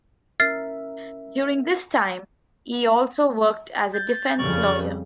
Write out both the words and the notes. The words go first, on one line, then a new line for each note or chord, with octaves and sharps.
During this time, he also worked as a defence lawyer.
C#4 A#4 E5 F6 A6 C7
G6 A6
F2 C#3 G3 D5 C#6 F6